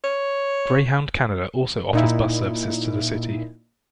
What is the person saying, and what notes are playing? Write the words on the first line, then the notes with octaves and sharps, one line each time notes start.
Greyhound Canada also offers bus services to the city.
C#5
A#2 D#4 E4